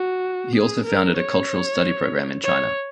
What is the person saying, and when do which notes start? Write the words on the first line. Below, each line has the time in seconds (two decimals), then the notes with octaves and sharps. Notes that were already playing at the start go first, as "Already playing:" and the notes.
He also founded a cultural study program in China.
Already playing: F#4
0.55 G#4
0.86 A#4
1.17 C#5
2.44 C#5